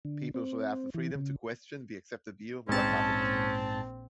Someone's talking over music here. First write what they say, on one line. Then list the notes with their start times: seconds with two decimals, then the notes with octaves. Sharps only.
People should have the freedom to question the accepted view of what happened.
0.05 D3
0.34 C4
0.94 E3
1.15 C#3
2.69 A#1 G#2 C4 C#4 A5